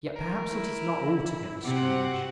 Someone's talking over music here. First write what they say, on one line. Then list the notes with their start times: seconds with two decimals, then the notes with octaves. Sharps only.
Yet, perhaps, it is not altogether strange.
0.16 A#4
0.51 E4
1.65 C3 C4 F#4 F#5 D6